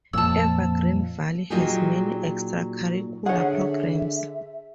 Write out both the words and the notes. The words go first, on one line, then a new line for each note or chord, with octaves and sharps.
Evergreen Valley has many extracurricular programs.
F2 A#2 A5 E6
A#2 F#3 D#4 F4 G4 G#4
D3 G#4 C#5 E5 F#5